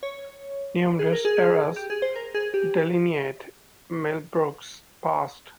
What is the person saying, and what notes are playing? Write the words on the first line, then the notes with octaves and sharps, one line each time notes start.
Numerous eras delineate Millbrook's past.
C#5
G#4
A#4
G#4
G4
G#4
C5
A#4
G#4
G4